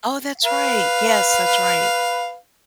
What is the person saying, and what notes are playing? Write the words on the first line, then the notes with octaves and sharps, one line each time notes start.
Oh, that's right, yes, that's right.
B4 F5